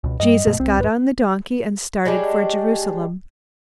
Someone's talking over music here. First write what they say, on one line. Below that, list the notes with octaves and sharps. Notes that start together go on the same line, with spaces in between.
Jesus got on the donkey, and started for Jerusalem.
C#2 B2
G2 G3 D#5
G2 B2 A3
C2 C4
D#2 G#2 B4
G3 G#3 C#4 D4